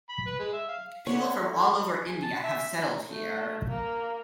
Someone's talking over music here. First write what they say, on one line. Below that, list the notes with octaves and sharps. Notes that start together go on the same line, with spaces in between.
People from all over India have settled here.
B5
B4
G#3
E5
F5
D2 D3 C#5
G#4
A5
E5
A3
A#3